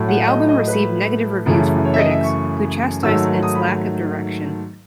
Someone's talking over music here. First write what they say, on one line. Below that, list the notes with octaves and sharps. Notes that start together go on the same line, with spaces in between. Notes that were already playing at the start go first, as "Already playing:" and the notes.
The album received negative reviews from critics, who chastised its lack of direction.
Already playing: A2 F#3 A3
F#5
D#5
D#5
B4
F#2 C#3 E3 A3
C#5
E5
D#5
E5
C#6
G#2 D#3 F#3 A3 E6
D#6
B5